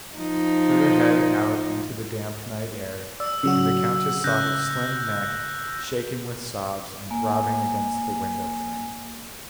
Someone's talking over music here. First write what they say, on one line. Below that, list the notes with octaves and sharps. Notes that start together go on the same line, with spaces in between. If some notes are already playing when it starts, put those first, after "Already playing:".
She put her head out into the damp night air, and the countess saw her slim neck shaking with sobs and throbbing against the window frame.
F3 D#4
D5 E6
C#3 F#3 F#4 E6
C#3 F#6 G6 A#6
A#3 G#5